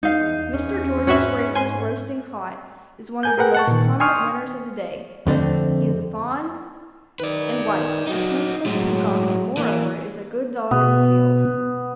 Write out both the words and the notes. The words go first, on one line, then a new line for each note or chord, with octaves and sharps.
Mr. George Raper's Roasting Hot is one of the most prominent winners of the day; he is a fawn and white, as handsome as a peacock and, moreover, is a good dog in the field.
E2 D#4 F5
E2 C#4
G#2 C4 F#4 B4 C#5 E5
G#5 C6
A#4 G#5 G6
G#4 A#4 B4 F#5 G5
F#5 A5 C#6
A#2 D#3
G5 G#5 C6 C#6 D#6 F6
F2 D3 A3 C4
D#3 B4 D5
D#3
F#3 D#4 F#4
A2 F#3 G#3
E3 A#3
B2 B3